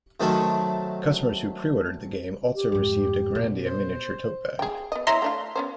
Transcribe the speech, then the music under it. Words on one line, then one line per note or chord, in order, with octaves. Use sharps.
Customers who pre-ordered the game also received a "Grandia" miniature tote bag.
C3 D#3 F#3 A3 A4
G4
F2 G#2
B2
C5
G#4 G5
B3 D#5
E4 C#5 E5 A#5 C6
A3 D4 F4
B3 C#4 C5